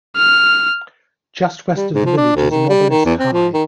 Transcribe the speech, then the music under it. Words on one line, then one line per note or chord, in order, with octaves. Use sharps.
Just west of the village is an obelisk high.
F6
G3
G#2
F3
D4
D2
D#3
G3
D#3
E2
C4
F3
D#3